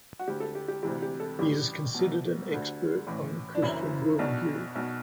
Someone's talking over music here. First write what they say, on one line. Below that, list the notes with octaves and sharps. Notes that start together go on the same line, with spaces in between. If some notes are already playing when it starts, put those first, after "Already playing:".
He is considered an expert on the Christian Worldview.
F#4
D2 D3 G4
A4
G4
G4
D2 C3 E3 G4
G4
A4
A1 G2 E3 G4
C2 B2
D2 D3
A1 A2 E3
D4
F#1 F#2 E3 E4
B1 B2 D4
B1 B2